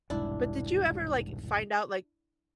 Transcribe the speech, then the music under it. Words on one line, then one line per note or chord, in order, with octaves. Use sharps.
But did you ever, like, find out, like,
E1 C2 G#2 D4 E4